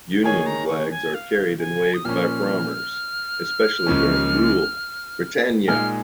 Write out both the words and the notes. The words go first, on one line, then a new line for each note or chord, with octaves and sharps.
Union Flags are carried and waved by the Prommers, especially during "Rule, Britannia!".
D#3 A#3 D#4 G#4 C#5 G#5
A#5
C#6
G#5
F5
G#5
D#6
A#2 F3 A#3 C#4 F6
C#2 C#3 F3 A#3 C#4
A#2 G#3 D#4 G#4 F6